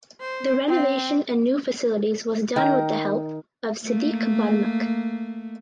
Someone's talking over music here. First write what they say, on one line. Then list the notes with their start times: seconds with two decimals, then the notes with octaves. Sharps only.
The renovation and new facilities was done with the help of Siddiq Barmak.
0.20 C5
0.67 C4
2.56 D#3 A#4
3.82 A3 A#3